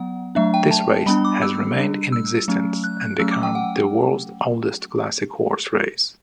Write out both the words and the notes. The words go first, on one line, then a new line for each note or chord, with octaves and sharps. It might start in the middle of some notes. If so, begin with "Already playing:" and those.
This race has remained in existence and become the world's oldest classic horse race.
Already playing: F#3 B3 F#5
F#3 A3 D4 E5
G5
A5
G3 B3 D4 B5
D6
E6
G3 D4
E6
F#3 A3 C#4
F#6
F#6
F#3 A3 C#4 E6
D6
G5
F#5